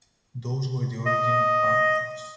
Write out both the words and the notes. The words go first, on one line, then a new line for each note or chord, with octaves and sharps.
Those were the origin of vampires.
D#5